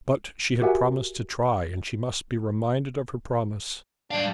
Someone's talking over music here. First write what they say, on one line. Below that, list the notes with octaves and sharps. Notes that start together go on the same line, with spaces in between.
But she had promised to try, and she must be reminded of her promise.
F#4 G4 A#4 E5 F#5 G#5
G3 D4 F5